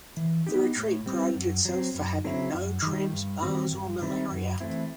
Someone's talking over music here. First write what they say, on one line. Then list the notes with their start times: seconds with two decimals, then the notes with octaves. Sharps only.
The retreat prided itself for having no tramps, bars, or malaria.
0.17 E3
0.47 B3 D#4 G4
0.77 A2
1.06 G3 C4
1.36 F#2
1.65 F#3 C4
1.95 F#2
2.25 F#3 C4 E4
2.53 F#2
2.82 D#3 G3
3.13 G2
3.43 D#3 G3 C4 F#4
3.71 G2
4.02 D#3 G3 C4 E4
4.31 F#2
4.60 E3 A3 C4 E4